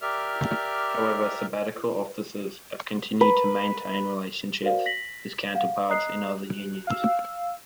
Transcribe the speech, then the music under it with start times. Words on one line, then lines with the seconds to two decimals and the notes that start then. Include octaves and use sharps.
However, sabbatical officers have continued to maintain relationships with counterparts in other unions.
0.01 G4 A#4 D5 E5 F6
3.21 B4
4.62 F#4 A#4 C5 D5 F5
4.86 A#6 B6 F#7
5.55 F5 F#5
5.89 D#5 A#5 D#6 F#6 C7
6.87 F5 E6